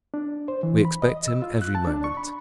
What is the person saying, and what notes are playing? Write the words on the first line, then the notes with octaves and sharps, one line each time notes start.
"We expect him every moment."
D4
C5
E3
B5
D#5
E6
F4
F#6
A5
D4
C#6
B5